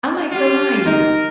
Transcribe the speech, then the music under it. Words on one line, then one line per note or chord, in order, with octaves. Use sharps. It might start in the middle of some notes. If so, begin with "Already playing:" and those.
I like the Lions.
F4 G4
D#4 A#4